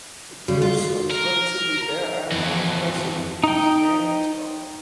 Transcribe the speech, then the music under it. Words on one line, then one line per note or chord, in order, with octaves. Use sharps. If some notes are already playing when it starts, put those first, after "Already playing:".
The cliffs on this relatively bare island are impressive, standing tall.
C#3 G3 F#4
F4
G#3
A#4
F2 E3
D#4 G5